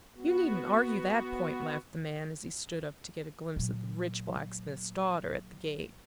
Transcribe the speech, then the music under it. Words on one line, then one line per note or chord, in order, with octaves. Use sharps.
"You needn't argue that point," laughed the man, as he stood up to get a glimpse of the "rich blacksmith's daughter" at the gate.
B3 F#4
A#2 F#3